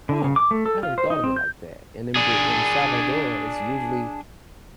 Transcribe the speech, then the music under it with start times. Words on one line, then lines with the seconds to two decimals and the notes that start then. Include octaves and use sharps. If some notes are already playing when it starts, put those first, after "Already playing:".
Huh, I never thought of it like that, and in Br in Salvador, it's usually
0.09 D3
0.24 C#3
0.36 D6
0.51 A3
0.66 A4
0.83 F4
0.98 C5
1.10 D#4
1.24 C4
1.36 G6
2.16 D4 G#4